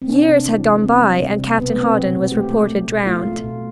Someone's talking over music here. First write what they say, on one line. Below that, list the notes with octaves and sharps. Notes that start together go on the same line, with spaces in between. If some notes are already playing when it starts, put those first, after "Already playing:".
Years had gone by and Captain Hawdon was reported drowned.
C4
C3 D4
C3
E3
C3
G3 C4
G3
C3
C3
B2 B3
A3 B3
C4
B2
B2
A3 G4
A3
A3
B2
A3 F4
A3
B2